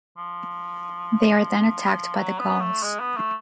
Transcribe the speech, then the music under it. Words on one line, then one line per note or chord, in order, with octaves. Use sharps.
They are then attacked by the Gauls.
F3
F#3
B3
A3
G#3
B3
A3